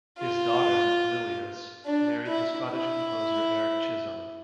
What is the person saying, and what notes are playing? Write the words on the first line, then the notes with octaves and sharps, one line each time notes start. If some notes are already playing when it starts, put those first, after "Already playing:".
His daughter, Lillias, married the Scottish composer Erik Chisholm.
F4
D4
E4
E4